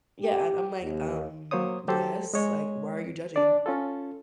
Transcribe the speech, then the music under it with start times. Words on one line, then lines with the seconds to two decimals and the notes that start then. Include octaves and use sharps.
Yeah, I'm I'm like, um, "Yes, like why are you judging?
0.22 G4
0.83 D#2
1.51 F#3 A#3 C5 C#5 D#6
1.88 F#3 G4 A4 C5
2.34 G#3 C#5 D#5
3.36 D4 D5
3.66 C#4 F4 A4